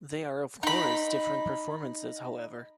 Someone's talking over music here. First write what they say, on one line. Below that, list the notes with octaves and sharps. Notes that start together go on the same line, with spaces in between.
They are of course different performances however.
D#4 B5